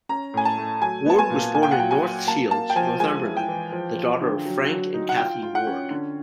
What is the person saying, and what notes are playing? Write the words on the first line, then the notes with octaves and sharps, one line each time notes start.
Ward was born in North Shields, Northumberland, the daughter of Frank and Cathy Ward.
C#4 A#5
A2 G#5
A5
A3
F#3 G#5
B3 A5
G#5
A#2
A#2 G#5
G5
F#5
F#3 G5
G#5
F#3
A#3 A5
A#3 A5
G5
F3 G#5
G#3 G#5
E4
G5
E3
F3
F3
D3
F#3
F#3
D#4
F#5
F4 G5
F4
F#5
C#4
D3